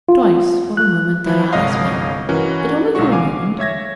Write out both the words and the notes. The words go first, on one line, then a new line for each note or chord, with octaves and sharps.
Twice, for a moment, their eyes met; but only for a moment.
F4
F#6
E3 F3 E4
G1 C2 G#3 C#5 D#5 F5
E3 C#4 F#4 A#4
B1 D3 F#3 G#3 F#4 C#6
F5 G#5 D6
C#5 E5 G#6 A#6